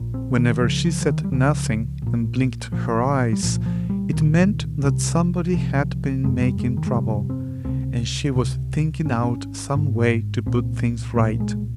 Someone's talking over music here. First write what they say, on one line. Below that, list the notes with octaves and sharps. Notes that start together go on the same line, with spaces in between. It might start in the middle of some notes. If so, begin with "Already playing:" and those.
Whenever she said nothing and blinked her eyes, it meant that somebody had been making trouble, and she was thinking out some way to put things right.
Already playing: A#1 A#2
C4
D#3
C#2 C#3 F3
F3
F3
D#3
G3
C#2 C#3 F3
A#1 A#2
A#1 A#2 F3
G3
C2 A#2 F3
F3
G3
C2 A#2 D#3
C2 C3
C2 C3 F3
G1 F2 C3 G#3
G3
G#3
D#3
G#3
G1 F2 C3 G3
C4
C#2 C3 C4
C#2 C3
G#1 G#2 C#4
C#4
G#1 G#2
C2 A#2 C4
C2 A#2 A#3
G#3